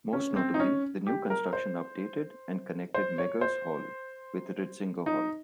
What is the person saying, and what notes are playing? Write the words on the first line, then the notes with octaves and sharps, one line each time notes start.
Most notably, the new construction updated and connected Meggers Hall with Ritzinger Hall.
C#4
C4
D#4
C#4
G4
A#4
C5
C5
C#5
C5
D#4